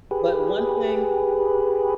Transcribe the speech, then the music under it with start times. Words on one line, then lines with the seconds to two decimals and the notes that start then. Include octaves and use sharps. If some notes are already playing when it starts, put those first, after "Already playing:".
But one thing
0.11 G4 G#4 B4